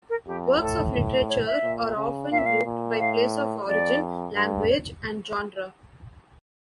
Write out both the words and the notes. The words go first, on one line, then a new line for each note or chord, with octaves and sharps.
Works of literature are often grouped by place of origin, language, and genre.
A#4
F2 G4
A2 A4
C#5
E5
A#2
C#3
A#2 F5
E5
F5
A#2
A2 F5
F2 D5
G2
C#5